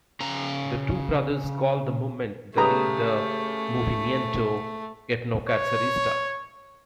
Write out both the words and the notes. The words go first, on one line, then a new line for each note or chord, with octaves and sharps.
The two brothers call the movement they lead the "Movimiento Etnocacerista".
C#3 A#5
C#3 A3 G4 B4 A#5 D#6
C#5